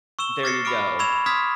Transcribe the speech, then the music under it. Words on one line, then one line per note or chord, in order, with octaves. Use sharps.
There you go.
C#6 E6 E7 G7
D6 F6 A6 A#6 C7 C#7
B5 D6 F6 D7
B5 C#6 E6 G#6 E7 F7
C6 D#6 F6 G#6 B6